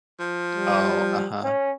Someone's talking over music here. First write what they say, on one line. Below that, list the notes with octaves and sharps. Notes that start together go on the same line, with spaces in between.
Oh, uh-huh.
F3
G3
C#4